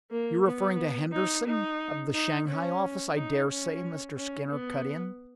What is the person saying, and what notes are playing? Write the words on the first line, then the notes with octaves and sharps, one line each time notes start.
"You're referring to Henderson, of the Shanghai office, I dare say," Mr. Skinner cut in.
A#3
B3
D#4
D#4
D#4
C#4
D#4
C#4
C#4
B3